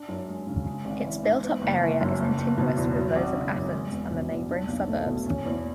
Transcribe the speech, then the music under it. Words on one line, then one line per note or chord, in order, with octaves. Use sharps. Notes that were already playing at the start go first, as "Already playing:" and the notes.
Its built-up area is continuous with those of Athens and the neighbouring suburbs.
Already playing: D4
F#2
G#3
C#3
G#3
G#1
E3
G#2
B3
F#1
E3
F#2
F#1
F#1
B2
E2
F#3
G#1
C#3
F#2
G#3
E1
B2
E2
D4
B1
A3
B2
C#4
E2